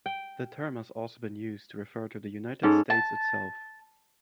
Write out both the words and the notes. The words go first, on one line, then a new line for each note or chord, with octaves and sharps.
The term has also been used to refer to the United States itself.
G5
G#2 C#4 A4
A5